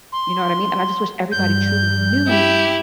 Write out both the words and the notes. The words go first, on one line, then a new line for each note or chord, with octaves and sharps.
You know what I mean? And I just wish everybody truly knew
C6
G2 G3 G6
E4 G4